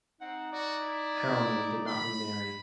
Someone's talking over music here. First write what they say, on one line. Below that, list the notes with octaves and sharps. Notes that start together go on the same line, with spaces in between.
Perelman did not remarry.
C4 D#4 F#5
F#4 D5
E4
B5